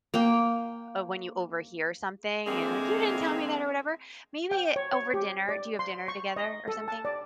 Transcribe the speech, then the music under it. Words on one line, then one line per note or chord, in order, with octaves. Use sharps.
uh, when you overhear something and like, "You didn't tell me that or whatever." Maybe it over dinner. Do you have dinner together or something?
A#3 G5
D3 E3 G#3 A#3 C4 G#4
G5
C#5
C#5
G4
D5
C6
C#6
D#5
A4
A5
D5